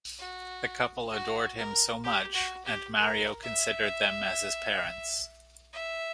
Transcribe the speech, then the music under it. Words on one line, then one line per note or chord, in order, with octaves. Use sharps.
The couple adored him so much and Mario considered them as his parents.
F#4
F#4
A#4
G4
F#4
G4
A#4
E5
E5